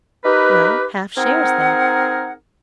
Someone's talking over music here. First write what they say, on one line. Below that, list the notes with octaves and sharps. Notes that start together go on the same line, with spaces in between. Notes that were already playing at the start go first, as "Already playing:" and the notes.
"Well, half shares then."
D#4 G4 A#4 B4
C4 D#4 G#4 A#4 F#5